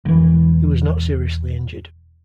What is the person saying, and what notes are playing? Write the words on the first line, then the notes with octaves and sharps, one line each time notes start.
He was not seriously injured.
E1 E3